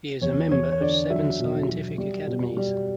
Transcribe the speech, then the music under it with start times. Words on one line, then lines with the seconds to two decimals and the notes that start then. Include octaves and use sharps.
He is a member of seven Scientific Academies.
0.22 E2 C#5
0.51 E2 C#5
0.72 C#5
0.81 D3 D5
1.10 F#3 E5
1.39 B2
1.68 F#3
1.98 G3
2.27 B2
2.57 G3